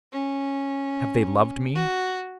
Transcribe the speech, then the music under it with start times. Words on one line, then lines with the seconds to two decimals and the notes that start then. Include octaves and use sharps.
Have they loved me?
0.12 C#4
1.75 F#4